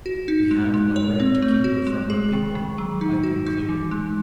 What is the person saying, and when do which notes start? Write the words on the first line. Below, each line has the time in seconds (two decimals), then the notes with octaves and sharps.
"We have no right to keep her from her people," I concluded.
0.06 F#4
0.28 D#4
0.51 G#3
0.74 G#3
0.96 C#5
1.20 C4
1.42 A3
1.64 F#4
1.87 G#3
2.10 G#4
2.33 D#3
2.55 D#3
2.78 F#3
3.01 D#4
3.23 F#4
3.46 D#4
3.69 E3
3.91 G#3